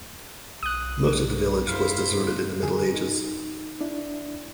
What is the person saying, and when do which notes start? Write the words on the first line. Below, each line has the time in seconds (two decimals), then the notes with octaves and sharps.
Most of the village was deserted in the Middle Ages.
0.63 B1 D#6 F#6
1.67 F#2 E4 C5 F5
2.62 F2 D3 G#4
2.94 D#4
3.81 D4 E4